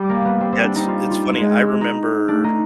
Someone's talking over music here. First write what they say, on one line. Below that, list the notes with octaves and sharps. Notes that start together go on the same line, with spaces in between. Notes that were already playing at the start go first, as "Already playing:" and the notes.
That's it's funny, I remember
Already playing: G3
A#3
B3
G3 C4
C4
D4
D#4
F4
F4
G#3
D#4
A3 D4
D#4